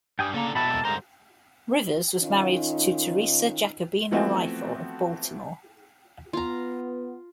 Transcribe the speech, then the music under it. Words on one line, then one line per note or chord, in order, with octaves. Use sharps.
Rivers was married to Teresa Jacobina Riefle of Baltimore.
G2 G3 G5 G#5 D#6
A2 C#3 A#3 D4 A4 A#5
B2 E4 F#4 G4 A4 A5 B5
G#3 G4 A#4
G2 D3 C5 A#5
D#3 C#4 D#4 F4
E3 F3 A3 B3 C4 F#4
B3 F4 A#5